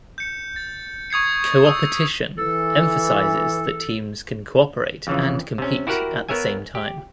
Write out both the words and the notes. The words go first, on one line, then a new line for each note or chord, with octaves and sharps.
Coopertition emphasizes that teams can cooperate and compete at the same time.
G6 C#7
A6
C#6 D#6 G#6 C7 C#7
C#6 D#6 E6
E3 A4
F2 C#3 E3
C3 C#4
E4 F#4 G4 A#4 F#5 A#5
B3 A#4 C#5 E5 G#5
G4